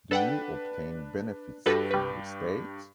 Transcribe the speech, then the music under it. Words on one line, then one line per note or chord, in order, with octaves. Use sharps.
Do you obtain benefits from the state?
D4 A4 B4 F#5 G5
G2 F#4 G4 A4 B4 A#6
G3 B4